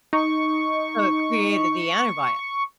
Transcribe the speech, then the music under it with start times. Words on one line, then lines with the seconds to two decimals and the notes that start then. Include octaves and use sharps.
So, it created the antibio
0.13 D#4 C#6